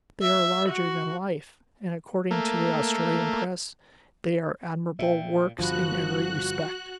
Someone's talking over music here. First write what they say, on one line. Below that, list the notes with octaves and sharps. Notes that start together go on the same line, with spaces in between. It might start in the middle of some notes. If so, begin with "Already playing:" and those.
They are larger than life, and, according to the Australian press, they are admirable works in every respect.
E5
F#4
A3 A#3
A#2 E5 G5
G1 G2 F3 F#4 B5 F#6